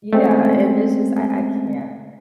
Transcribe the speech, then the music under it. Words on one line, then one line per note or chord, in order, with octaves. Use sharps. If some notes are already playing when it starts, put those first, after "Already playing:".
Yeah, and it's just I I can't
G#3 A3 C4 C#4